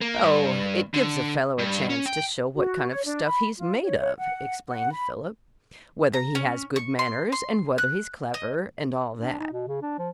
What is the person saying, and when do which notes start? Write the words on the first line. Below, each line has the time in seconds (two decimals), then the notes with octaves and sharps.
"Oh, it gives a fellow a chance to show what kind of stuff he's made of," explained Philip, "whether he has good manners, and whether he's clever--and all that."
0.01 A#3
0.23 G2
0.94 D3
1.59 G2
1.90 C#4
2.06 G5
2.55 F#4
2.90 C#5
3.06 D4
3.24 B5
3.58 F4
3.84 C#5
4.00 C#5
4.19 F#5
4.69 F#5
4.93 B5
6.13 A#5
6.35 C#4
6.76 C#6
6.99 C6
7.32 C6
7.78 F#6
8.34 D#5
9.20 D4
9.40 D#4
9.53 B2
9.68 C#3
9.82 D4
9.98 F3